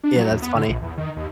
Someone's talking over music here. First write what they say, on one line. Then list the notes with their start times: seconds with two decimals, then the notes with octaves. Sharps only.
Yeah, that's funny.
0.04 D4
0.16 F#3
0.31 E2
0.42 B3
0.55 D3
0.68 A#1
0.82 E2
0.98 D#3
1.17 D#2